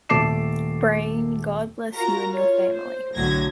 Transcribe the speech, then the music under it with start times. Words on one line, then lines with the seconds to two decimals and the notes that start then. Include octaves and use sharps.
Brain, God bless you and your family.
0.09 D#1 A3 A5 D6 C7 E7
1.94 F4 F#4 A#4 A#5 A#6
2.31 F4 C#5
2.72 C5
3.15 B1 A2 D3 F#3 G#6 A#6